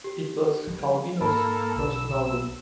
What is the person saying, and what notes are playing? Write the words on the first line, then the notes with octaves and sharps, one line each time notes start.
It was Calvino's first novel.
G4
F3 G3
G#2 A#3 A4 A5 B5
B1 E6